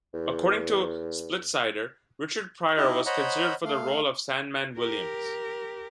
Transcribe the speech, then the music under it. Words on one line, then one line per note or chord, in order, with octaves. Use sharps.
According to Splitsider, Richard Pryor was considered for the role of Sandman Williams.
E2
D#4 E4 G4 D#5
C5 C#5 D#5 F#5 A#5 B5
A3 F5
G4 A#4